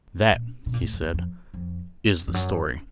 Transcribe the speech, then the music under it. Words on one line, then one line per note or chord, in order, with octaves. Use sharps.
"That," he said, "is the story."
A#2
B2
A#2
A2
F2
E2
F2
F2
F2
F#2